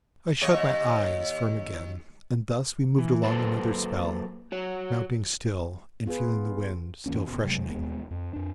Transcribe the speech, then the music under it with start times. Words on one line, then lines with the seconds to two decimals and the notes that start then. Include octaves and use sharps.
I shut my eyes firm again, and thus we moved along another spell, mounting still and feeling the wind still freshening.
0.41 D#2 C#5 D#5
2.98 E3
3.23 F#3 A#3 A4 B4 C5
4.52 F#4 C#5
6.06 B3 F4 G#4 B4
7.06 F2 E3 A#3 C#4
7.26 G1 B2
7.44 C3 F#3 G#3 A3
7.69 E1 D#2 G#3 B3
8.11 F2
8.33 F2 D4